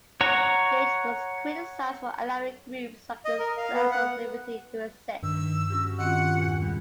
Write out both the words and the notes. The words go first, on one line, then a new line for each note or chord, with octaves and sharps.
Gage was criticised for allowing groups like the Sons of Liberty to exist.
C#5 F#5 A#5 C#6
D#5
A#4
F5
B3
F#5
G2 D#3 E6
C#4 F#4 G4
D#3 C4 F4 F#5
E2 A#2
G3 G#3